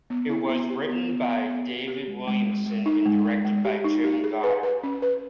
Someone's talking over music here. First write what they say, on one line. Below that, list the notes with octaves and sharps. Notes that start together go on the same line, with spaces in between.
It was written by David Williamson and directed by Jim Goddard.
B3
E4
B3
G4
B3
B3
B3
B3
G4
G4
G#3
G#3
G#3
G#3
D#4
G#3
G#3
G#3
G4
D#4
G4
G#4
B4
B4
C#4
B4